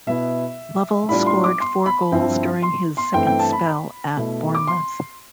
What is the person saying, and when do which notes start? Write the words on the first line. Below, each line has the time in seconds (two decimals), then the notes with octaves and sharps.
Lovell scored four goals during his second spell at Bournemouth.
0.07 B2 B3 E4 E5
1.09 A2 G3 D4 F4 B5
1.26 C6
1.44 D6
1.60 C6
1.86 B5
2.12 G2 F3 C4 E4
2.62 C6
2.97 C6
3.14 G2 E3 A3 C4 G5
3.27 G5
3.39 A5
3.52 B5
4.17 B2 A3 E4
4.55 D6
4.67 C6